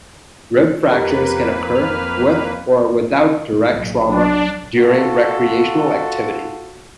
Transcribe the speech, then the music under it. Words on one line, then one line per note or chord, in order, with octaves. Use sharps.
Rib fractures can occur with or without direct trauma during recreational activity.
F2 A#3 G4 A#4 B4
F6
B1 A#2
F#3 D4
F4 F#4 A4